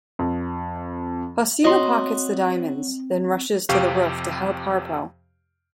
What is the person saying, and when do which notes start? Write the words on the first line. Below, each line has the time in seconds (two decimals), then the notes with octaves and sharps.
Faustino pockets the diamonds, then rushes to the roof to help Harpo.
0.19 F2
1.64 F#3 C4 D#5 C6
3.69 F2 C3 G4 F5 G5 C#6